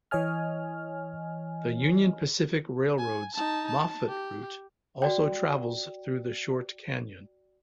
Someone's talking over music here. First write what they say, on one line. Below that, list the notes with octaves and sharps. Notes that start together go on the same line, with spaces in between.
The Union Pacific Railroad's Moffat Route also travels through the short canyon.
E3 C#5 D#5 G#5 F6
G#5
D#4 A5
A5
G4
F#4 D5 G5